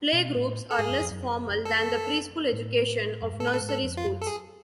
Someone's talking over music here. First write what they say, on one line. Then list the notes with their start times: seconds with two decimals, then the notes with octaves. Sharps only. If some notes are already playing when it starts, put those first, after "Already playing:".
Playgroups are less formal than the pre-school education of nursery schools.
0.13 B2
0.36 A2
0.71 A4
0.78 G#2 G#4
0.90 F#2
1.00 F2
1.11 F#2
1.65 A4
2.52 A2
3.22 F#2
3.32 G#2
3.40 A2 A4
3.47 B4
3.54 A4
3.61 G#2
3.69 A4
3.83 F2
3.97 F4
4.05 F#2
4.22 A4
4.27 G#4